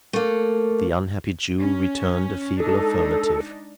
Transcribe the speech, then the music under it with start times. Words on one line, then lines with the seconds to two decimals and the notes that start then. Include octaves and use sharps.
The unhappy Jew returned a feeble affirmative.
0.13 A3 A#3
1.59 C#4
2.60 G#3 D4 D#4 A4